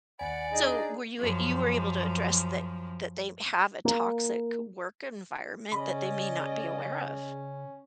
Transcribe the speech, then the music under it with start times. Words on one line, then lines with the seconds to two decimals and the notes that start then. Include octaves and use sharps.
So, were you a you were able to address that that they have a toxic work environment, that they may not be aware of?
0.19 D#2 D5 F#5 G#5 B5
0.52 D4 D#4 G#4 D#5
1.18 F#2 F3
3.85 A#3
5.72 C#3 C#4 D5 D#5 B5